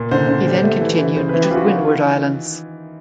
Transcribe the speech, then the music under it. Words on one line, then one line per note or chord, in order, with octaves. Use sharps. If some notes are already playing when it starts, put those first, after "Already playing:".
He then continued to the Windward Islands.
Already playing: A#2
D3 C5
D3
G3
A3
E3
E3
C#3 C5
E3 B4
G4
E3 F4 F#4
D#3 F4